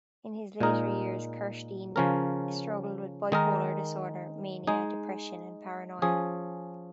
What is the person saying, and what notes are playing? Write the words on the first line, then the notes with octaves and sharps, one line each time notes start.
In his later years, Kirstein struggled with bipolar disorder - mania, depression, and paranoia.
A#2 G#3 D#4 A#4
C#3 F3 C#4 A#4
D#3 G#3 D#4 A#4
G#3 D#4 G#4
F3 C#4 G#4